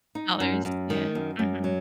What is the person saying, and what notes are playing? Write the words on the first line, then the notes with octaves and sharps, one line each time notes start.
dollars, yeah, mhm.
D#4
F#2
F#2
D#3
F#2
F#2
F#3